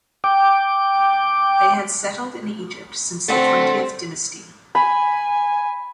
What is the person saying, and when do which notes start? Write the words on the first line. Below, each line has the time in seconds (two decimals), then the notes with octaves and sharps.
They had settled in Egypt since the Twentieth Dynasty.
0.24 G5 D6
3.28 D3 A3 C4 F#5
4.75 G#5 B5